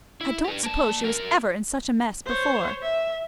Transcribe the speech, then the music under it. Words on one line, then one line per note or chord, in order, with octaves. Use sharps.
I don't suppose she was ever in such a mess before.
E4
G4 B4
A#3 A5
F#4 A#4
C5 C#5
E5